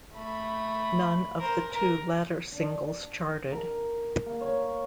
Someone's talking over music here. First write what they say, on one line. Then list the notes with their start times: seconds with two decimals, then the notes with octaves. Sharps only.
None of the two latter singles charted.
0.15 A3 B5
1.39 A#4 C5
1.70 A#4
2.52 D4
3.52 A#4
4.26 A#3
4.41 C#5